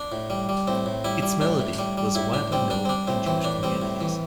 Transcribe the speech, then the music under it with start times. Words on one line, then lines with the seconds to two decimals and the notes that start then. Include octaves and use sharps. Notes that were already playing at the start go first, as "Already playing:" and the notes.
Its melody was widely known in Jewish communities.
Already playing: D4
0.12 A2
0.30 G3
0.49 G3
0.67 A2 C4
0.86 A2
1.05 G3 E4
1.22 G3
1.41 A2 D4
1.60 A2
1.79 G3
1.98 G3
2.15 A2 E4
2.34 A2 D4
2.52 G3 C4
2.70 G3 D4
2.85 C4
2.89 G3 D4
3.07 A2 C4
3.26 E3 C4
3.44 A2 D4
3.63 G3 C4
3.82 A2
4.01 E3